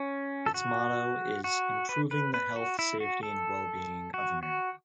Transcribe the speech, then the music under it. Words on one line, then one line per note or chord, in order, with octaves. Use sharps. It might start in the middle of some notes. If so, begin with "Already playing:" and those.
Its motto is "Improving the health, safety, and well-being of America".
Already playing: C#4
A4
F#4
F#4
B4
B4
B4
F#4
E4
F#4
A4
F#4
F#4